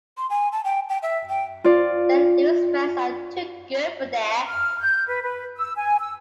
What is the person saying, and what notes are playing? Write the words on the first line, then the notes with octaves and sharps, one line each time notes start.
Saint Louis fans are too good for that.
C6
G#5
A5
G5
G5
E5
G5
F4 D5 F5
F6
G6
B4
B4
E6
G#5
E6